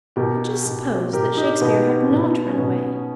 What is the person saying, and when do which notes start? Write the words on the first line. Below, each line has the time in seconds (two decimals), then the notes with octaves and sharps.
But just suppose that Shakespeare had not run away!
0.16 B2 G4 A#4
0.65 B2
1.13 B2 G4 A#4
1.37 D#4 G4
1.61 B2 B3 D#4
2.10 B2
2.48 C#4
2.58 B2 B3